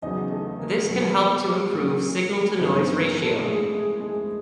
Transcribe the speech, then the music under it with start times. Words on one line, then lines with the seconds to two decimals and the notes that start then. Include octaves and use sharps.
This can help to improve signal-to-noise ratio.
0.02 E2 C#3 F#3 D#4 D#5
0.32 A3 A4
0.59 A#3 A#4
0.88 E2 B2 F#3
1.73 A#2 F#3
2.58 G2 D#3 F#3 B3 B4
2.79 C4 C5
3.01 A#3 A#4
3.22 A3 A4
3.43 A2 F3 G#3 G#4
3.72 G#3 G#4
4.00 G#3 G#4